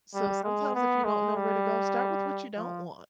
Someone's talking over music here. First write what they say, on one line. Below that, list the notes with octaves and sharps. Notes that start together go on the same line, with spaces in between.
So sometimes if you don't know where to go, start with what you don't want.
G3
G#3
B3
G#3
G3
F3